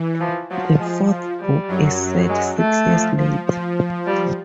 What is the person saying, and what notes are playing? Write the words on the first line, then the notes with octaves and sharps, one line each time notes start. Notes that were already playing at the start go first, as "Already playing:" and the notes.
The fourth book is set six years later.
Already playing: E3
F3
F3 F#3
G#3
G3
F#2 F#3
G#3
A3
F3
F3
F3
G3